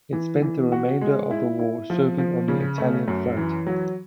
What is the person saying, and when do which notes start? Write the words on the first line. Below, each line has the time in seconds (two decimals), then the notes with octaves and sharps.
It spent the remainder of the war serving on the Italian Front.
0.13 E3
0.42 E3
0.72 F#4
1.01 G#3
1.31 E4
1.59 E4
1.90 F3
2.18 F3
2.48 C#3
2.78 A3
3.08 F#2
3.37 E3
3.67 F#3